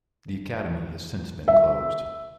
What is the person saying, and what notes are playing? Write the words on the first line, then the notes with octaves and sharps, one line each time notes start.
The Academy has since been closed.
E5